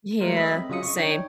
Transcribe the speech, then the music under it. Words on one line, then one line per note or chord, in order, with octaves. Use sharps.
Yeah, same.
F#3 G#3 A3 A#4 C5
D#5 E5 B5
C4
C#3 F#3 F4 D#5 D#6 C#7
C#6
D4 D#4 C#5 G5